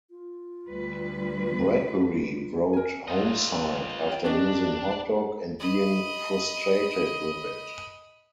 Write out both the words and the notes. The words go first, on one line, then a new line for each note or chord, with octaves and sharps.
Bradbury wrote HomeSite after using HotDog and being frustrated with it.
F4
D2 G3 B4
A#4 G#5
F4 D#5
G5
C#4 D4 G4 D#5
D#5 B5